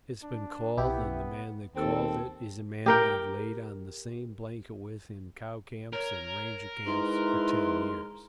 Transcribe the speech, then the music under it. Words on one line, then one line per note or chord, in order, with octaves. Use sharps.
It's been called, and the man that called it is a man I've laid on the same blanket with in cow-camps and ranger-camps for ten years.
D4
B1 B3 E4 G4
D#2 C4 A4
G4 A#4 G5
A#4 C#5
G#2 E4 B4 C6